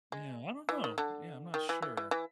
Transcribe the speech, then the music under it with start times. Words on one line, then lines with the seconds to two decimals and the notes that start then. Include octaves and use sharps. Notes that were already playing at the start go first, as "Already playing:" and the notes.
Yeah, I don't know, yeah, I'm not sure,
0.12 G#3
0.69 E3
0.84 D#3
0.98 D3
1.54 D#3
1.69 E3
1.82 E3
1.97 E3
2.11 E3